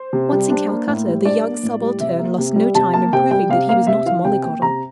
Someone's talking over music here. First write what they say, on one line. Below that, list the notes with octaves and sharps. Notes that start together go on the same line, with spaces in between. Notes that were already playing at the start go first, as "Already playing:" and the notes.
Once in Calcutta, the young subaltern lost no time in proving that he was not a mollycoddle.
Already playing: C5
C3
G3
D4
A#3
A2
G3
D4 D5
A#3
A2
G3
C3 E5
A#3
C3
G3
C3 A5
A#3 A5
C3 G5
G3 G5
C3 F5
A#3 F5
C3 E5
E3 F5
C3 G5
A#3 G5
C3 A#5